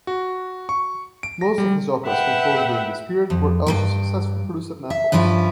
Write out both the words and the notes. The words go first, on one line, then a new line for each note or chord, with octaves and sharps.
Most of his operas composed during this period were also successfully produced at Naples.
F#4
C#6
D7
A#6
G3
B4 E5 F#5 G5
F2
G2 F3 G5
E5
G2 F3 C#4 E4 F4